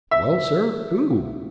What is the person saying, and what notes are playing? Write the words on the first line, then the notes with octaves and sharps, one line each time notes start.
"Well, sir, who?"
E5